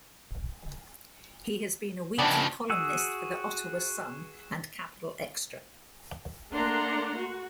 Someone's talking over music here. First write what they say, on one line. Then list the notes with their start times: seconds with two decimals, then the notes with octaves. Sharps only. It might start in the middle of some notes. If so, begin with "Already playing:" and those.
He has been a weekly columnist for the "Ottawa Sun" and "Capital Xtra!".
2.19 C#3 F3 B3 C4 D4
2.70 F#4 G#4 E6
6.52 A3 A#3 D4 F#5 A#5 C6
7.17 F#4